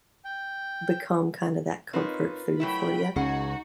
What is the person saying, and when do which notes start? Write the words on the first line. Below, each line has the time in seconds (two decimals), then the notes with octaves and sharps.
become kinda that comfort food for ya.
0.25 G5
1.93 C4 D#4 F4 A#4 B4 C#5
2.60 F#3 A3 E4 G5 B5
3.16 C#2 C#4 D#4 F#4 G#4 F#5